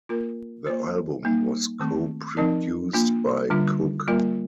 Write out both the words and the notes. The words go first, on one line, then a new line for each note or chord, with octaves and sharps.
The album was co-produced by Cook.
A#3 F4 A#4
A#3 F4 C5
G3 A#3 D#4
D#3 A3 C4
F3 C4 D#4 A#4 D5
A#3 D4 F4
D3 G3 D4 F4
G3 A#3 F4 A#4 D5